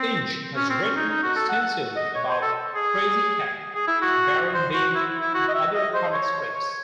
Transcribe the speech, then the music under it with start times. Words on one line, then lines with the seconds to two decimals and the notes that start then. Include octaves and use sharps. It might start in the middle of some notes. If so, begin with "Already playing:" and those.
Inge has written extensively about "Krazy Kat", "Baron Bean" and other comic strips.
Already playing: C4
0.56 C#4
0.70 C4
0.83 C#4
0.96 D#4
1.09 D#4
1.23 F#4
1.36 A4
1.49 F#5
1.62 F#5
1.96 D#5
2.15 C#5
2.30 C5
2.42 A4
2.75 G#4
3.75 G#4
3.88 E4
4.01 F#4
4.54 C5
4.74 F#4
4.95 E4
5.21 E4
5.34 F#4
5.48 D#5
5.54 E5
5.74 D#5
5.94 C5
6.13 C#5
6.53 C#5